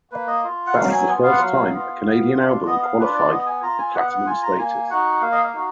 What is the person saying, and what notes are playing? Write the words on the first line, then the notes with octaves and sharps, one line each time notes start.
This was the first time a Canadian album qualified for platinum status.
A#3 B4
D#5
F4
F#5
F#3 F5
G#5
B3 F4 G#5
F5
F#5
F#3 F5
B3 F4
B3
D4 F4
B3 D#5
F5
D4 F4 B4
D5
B3 D#5
G#5
F4 A#5
G#5
B3 F#5
F#5
F4 G#5
A#5
A#3 G#5
D#4 F#4 F#5
A#3 F5
D#5
F5
D#4 F#4